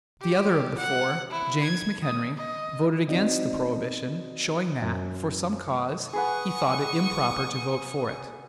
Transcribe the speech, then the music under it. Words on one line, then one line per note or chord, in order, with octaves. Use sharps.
The other of the four--James McHenry voted against the prohibition, showing that, for some cause, he thought it improper to vote for it.
G4
F#5
E4
G#6
D#6
D#5
C4 D#4 F#4 D5
F#2
G#4 B4 F#5 C#6 D#6